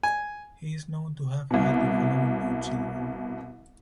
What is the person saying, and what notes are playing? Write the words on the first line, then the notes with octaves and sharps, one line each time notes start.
He is known to have had the following known children.
G#5
C2 B2